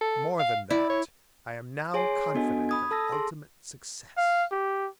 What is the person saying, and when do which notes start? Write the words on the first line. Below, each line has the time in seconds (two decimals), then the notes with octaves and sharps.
"More than that, I am now confident of ultimate success."
0.01 A4
0.40 F5
0.70 E4 D5
0.90 C#5
1.94 G#4 C#5 G#5 C6 C7
2.35 B3 D4 F#4 A4 D#5 G#5
2.69 B5 D#6 G#6
2.91 A4 A5 E6 A#6
3.12 G#4 C6
4.17 F5
4.52 G4